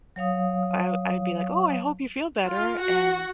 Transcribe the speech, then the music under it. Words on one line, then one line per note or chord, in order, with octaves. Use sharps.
I I'd be, like, "Oh, I hope you feel better." And
F#3 C#5 F5 D#6
F4
F#4